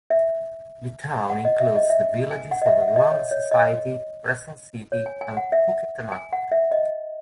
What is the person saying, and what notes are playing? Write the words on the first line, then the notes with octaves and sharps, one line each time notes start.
The town includes the villages of Long Society, Preston City, and Poquetanuck.
E5
F#5
D#5
E5
D#5
E5
G#5
F#5
D#5
E5
F#5
E5
D#5
C#5
C#5
D#5
C#5
G#5
G#5
F#5
E5
G#5
F#5
E5
D#5